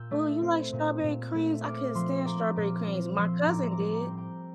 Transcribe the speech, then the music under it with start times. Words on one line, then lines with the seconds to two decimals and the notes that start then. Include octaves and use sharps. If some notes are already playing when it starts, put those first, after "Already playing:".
Oh, you like strawberry creams? I couldn't stand strawberry creams. My cousin did.
Already playing: A#2 E6 G6
0.11 A3
0.41 C4
0.73 A#2
1.04 A#2
1.34 A3
1.64 C4 D6 F6
1.95 F3 C6 E6
2.25 A3 A#5 D6
2.56 A#2 D6 F6
2.87 C4
3.17 F3 C6 E6
3.46 A2 A#5 D6
3.71 A#5 D6
3.79 G3
3.95 G5 A#5
4.10 C4
4.17 G5 A#5